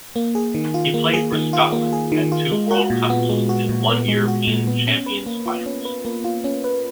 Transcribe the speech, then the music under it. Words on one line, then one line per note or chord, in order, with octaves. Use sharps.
He played for Scotland at two World Cups and one European Champions finals.
A#3
G#4
D#3
F4
A#3
G#4
D#3
F4
A#3
G#4
D#3
F4
G#3
F#4
A#2
B3
G#3
F#4
A#2
B3
G#3
F#4
A#2
B3
C#4
B4
A#3
F4
C#4
B4
A#3
F4
C#4
B4